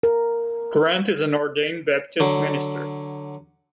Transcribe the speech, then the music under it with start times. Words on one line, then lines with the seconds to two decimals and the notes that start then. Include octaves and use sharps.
Grant is an ordained Baptist minister.
0.03 A#4
2.20 D3 F#3